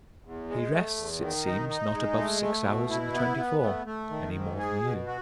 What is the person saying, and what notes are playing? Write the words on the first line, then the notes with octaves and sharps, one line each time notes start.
He rests it seems not above six hours in the twenty-four--any more than you.
E2
G#3
A3
E2
D#3
D#4
D#4
G#3
A3
A3
B2
E4
B3
B3
A3
A3
D#3
G#2
G#4
B2
F#4